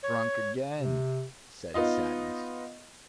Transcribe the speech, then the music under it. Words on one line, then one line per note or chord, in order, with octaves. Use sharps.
"Drunk again," said Sadness.
C#5
C3
B3 D#4 F4 D#5